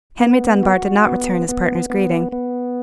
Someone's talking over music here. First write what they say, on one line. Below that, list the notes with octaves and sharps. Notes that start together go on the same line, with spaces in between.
Henry Dunbar did not return his partner's greeting.
B3
F#4
B3
B3
B3
B3